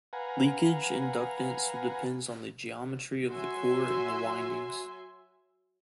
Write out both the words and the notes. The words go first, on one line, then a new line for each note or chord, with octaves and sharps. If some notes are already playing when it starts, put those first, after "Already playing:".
Leakage inductance depends on the geometry of the core and the windings.
B4 F5 F#5 G#5 A#5
F#3 F#4 E5 G#5 C6